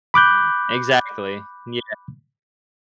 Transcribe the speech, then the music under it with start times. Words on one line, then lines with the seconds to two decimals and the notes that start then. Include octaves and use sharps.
meh exactly, yeah.
0.14 B5 D6 F#6 G6